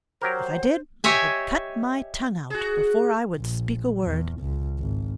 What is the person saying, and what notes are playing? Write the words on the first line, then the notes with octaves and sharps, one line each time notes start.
If I did, I would cut my tongue out before I would speak a word.
F#3 G4 A#4 C5
G4 C#5 D#5 E5 G#5
F#4 G#4
A#1
E2
C#2
G#1